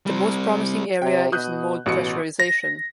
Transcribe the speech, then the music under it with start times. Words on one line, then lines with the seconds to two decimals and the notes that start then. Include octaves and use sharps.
The most promising area is in mold pressurization.
0.06 G3 C4
1.02 C3 G5
1.32 B2 D#6 F#6 G6
1.86 A1 B2 F#4 C#7
2.40 A#6